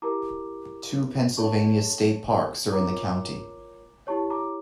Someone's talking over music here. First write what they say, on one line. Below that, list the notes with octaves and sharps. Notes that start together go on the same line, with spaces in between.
Two Pennsylvania state parks are in the county.
E4 G4 A#4 A#5 D6
D4 A4 C#5 A5 C#6
F4 A#4 C#5 A#5 D6
E4 G4 C#5 A5 C#6
A#5 D6